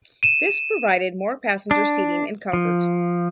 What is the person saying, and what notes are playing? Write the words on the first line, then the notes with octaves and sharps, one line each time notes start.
This provided more passenger seating and comfort.
D#7 E7
D4
F3